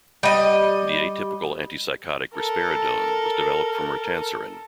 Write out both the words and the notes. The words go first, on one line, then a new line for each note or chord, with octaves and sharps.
The atypical antipsychotic risperidone was developed from ritanserin.
G3 D#5
A4 A#4